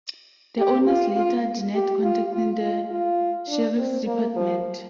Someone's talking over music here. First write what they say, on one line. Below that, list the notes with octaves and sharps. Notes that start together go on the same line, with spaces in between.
The owners later denied contacting the Sheriff's Department.
G4
F4
F4
G4
F4
F4
F4
F4
D4
C4
A#3
F3